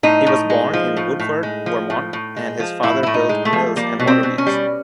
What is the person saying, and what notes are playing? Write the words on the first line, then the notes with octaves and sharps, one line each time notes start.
He was born in Woodford, Vermont, and his father built mills and waterwheels.
A2 D#4
A2
G#3
F3
A2
A2
G#3
F3
A2
A2
G#3
F3
A2 E4
A2 E4
D#4
G#3
A3
F3
G3 A#3
B2
C4
B2
C#4
G3